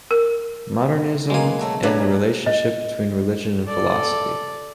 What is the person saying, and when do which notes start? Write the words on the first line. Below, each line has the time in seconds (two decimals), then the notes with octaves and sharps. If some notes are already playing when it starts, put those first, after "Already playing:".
Modernism and the relationship between religion and philosophy.
0.11 A#4
1.30 B1 G#3 A#3 G#5
1.59 F#3 A3 F#4
1.83 A#2 F#3 D4 B4
2.46 D#5
3.65 A4 D5